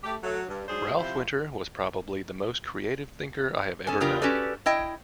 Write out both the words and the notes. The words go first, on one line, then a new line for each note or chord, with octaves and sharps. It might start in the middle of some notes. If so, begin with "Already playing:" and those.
Ralph Winter was probably the most creative thinker I have ever known.
A3 G4
F#3 A3
G2
G#2 F#3 D4 G#4 C5
C3 F3 E4 C5
B3 C#4 A4 G#5
C#3 B3 D4 F4 G4 A#4
C#4 F#4 G4 A4 B4 D5
E4 D#5 G5